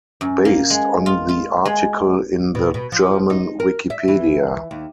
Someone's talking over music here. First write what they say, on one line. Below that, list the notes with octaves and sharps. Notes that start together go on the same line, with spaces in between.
Based on the article in the German Wikipedia.
F#2
A#3
G#3
F4
F4
G#3
B2
B2
F3
D#4
A#4
E5
E3
D#2